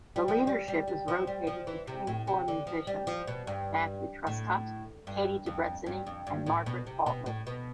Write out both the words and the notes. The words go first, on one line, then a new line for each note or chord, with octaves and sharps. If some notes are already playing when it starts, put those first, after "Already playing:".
The leadership is rotated between four musicians: Matthew Truscott, Kati Debretzeni and Margaret Faultless.
G3
F3
G3
G3
G3
F3
G3
F3
E3
C3
A2
C3
D3
F3
G3
F3
B2
G2
A2
G2
F2
G2
F2
G2
A2
B2
C3
B2
A2
B2